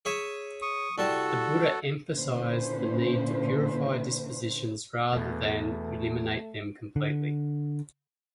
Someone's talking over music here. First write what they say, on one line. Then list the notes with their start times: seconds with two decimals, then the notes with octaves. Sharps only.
The Buddha emphasized the need to purify dispositions rather than eliminate them completely.
0.05 G#4 C#5 E5
0.62 C#6 D#6
0.98 C2 G3 F#4 A4 A5
2.13 A#2 D3 C#4 E4 B4 C5
5.13 E2 B2 A3
6.96 D3